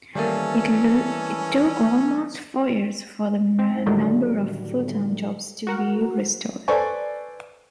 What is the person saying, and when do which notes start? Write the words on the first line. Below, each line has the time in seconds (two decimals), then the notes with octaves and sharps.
It took almost four years for the number of full-time jobs to be restored.
0.15 D#3 E3 G3 A3 A#3 C#4 A4 A#4
3.59 C4
3.86 A2 D3 D#3 F#3 G3 A3
5.67 F#4 A#4 F#5
6.68 A4 B4 C5 D5 G#5 C#6